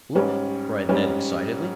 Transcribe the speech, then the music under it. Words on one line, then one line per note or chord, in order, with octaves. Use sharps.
"Look!" cried Ned excitedly.
G#2 G3 C#4
G#2 G3 C#4